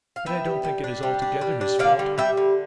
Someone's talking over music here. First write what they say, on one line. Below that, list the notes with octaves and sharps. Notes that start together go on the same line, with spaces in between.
But I don't think it is altogether his fault.
F5
B3 E5 G5
G3
G3
D4
G3
D4
G3
D4
D3 D5 F5
G3
G3 E5 G5
D3